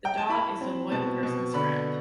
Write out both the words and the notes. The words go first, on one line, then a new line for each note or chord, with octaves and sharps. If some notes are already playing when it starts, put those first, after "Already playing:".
The dog is the loyal person’s friend.
G5
A5
E4 B5
C4
B2 A5
B2
D3 B5